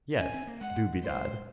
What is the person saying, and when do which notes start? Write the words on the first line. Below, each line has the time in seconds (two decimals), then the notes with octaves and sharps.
Yes, do bedad.
0.20 C#4 G#5
0.34 C4
0.47 A#3
0.61 G#3 F#5
1.03 C5